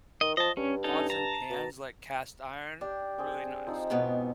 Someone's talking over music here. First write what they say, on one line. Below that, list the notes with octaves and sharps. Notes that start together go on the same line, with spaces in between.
pots and pans like cast iron, really nice.
D#3 D#5
F3 D#5 A5
G2 C#4
C#4 D#4 A4
A5 A#5
B2
D4 G4
C4 G#4 G5
F3 C4 D#4
G#2 B2 B3